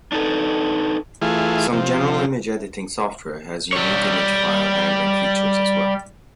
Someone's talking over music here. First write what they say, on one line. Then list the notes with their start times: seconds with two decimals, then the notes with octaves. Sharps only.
Some general image editing software has unique image file handling features as well.
0.12 D4 D#4 A4 B4
1.22 E3 A3 F4 G#4
1.73 C3 F3
3.73 G3 C#5